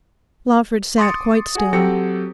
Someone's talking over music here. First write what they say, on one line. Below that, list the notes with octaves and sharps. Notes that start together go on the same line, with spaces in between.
Lawford sat quite still.
C6 D6 D#6 A6 C#7
F#4 G#4 G#5
F#3 C4 G4 A4 A#6 C#7